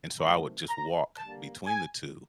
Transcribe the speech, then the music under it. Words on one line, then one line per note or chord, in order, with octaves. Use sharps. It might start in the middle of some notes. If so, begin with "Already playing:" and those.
and so I would just walk between the two,
D#3 F#3 A3 C4 A#5
A#5
D3 G3 A#3 A5
G#5